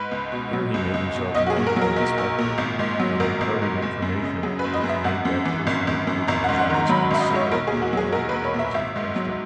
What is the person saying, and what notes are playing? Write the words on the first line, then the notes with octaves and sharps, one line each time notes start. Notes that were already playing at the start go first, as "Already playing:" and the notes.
Here he made himself known to the inspector, and imparted information which made that personage open his eyes considerably wider than was his custom.
Already playing: G#2 B4
C#2
B2
F#3
C#2
C#2
B2
B1 D#5
F#4
G#4
A#2
A#4
F#3
A#4
B1
B1
A#2
G#1
G#2
F#3
G#1 A#4
G#1
G#2
F#1
F#2
C#3
F#3 G#4
B4
F#1
D#5
F#2
E5
G#1 F#5
F#2
E3
G#1
G#1
F#2
G#1 A#5
F#5
G#2
F#5
D#3 A#5
F#3 B5
G#1 E5
D#5
G#2
C#5
B1 A#4
G#4
A#2
F#4
F#3 G#4
B1 A#4
B4
B1
C#5
A#2 E5
G#1 E5
G#2
F#3